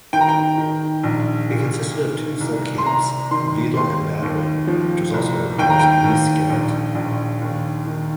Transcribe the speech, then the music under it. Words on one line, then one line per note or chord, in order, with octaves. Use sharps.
It consisted of two subcamps, "Veidal" and Badderen, which was also known as "Veiskaret".
D#3 G5
A#5
G5
D#3
A#1
A#2
D#3
C2
C6
C3 A#5
D#3 C6
D#2 C6
D#2
F3
C2
D#2 G5
A#5
G5
D#2
A#1
A#1
D#2
D#3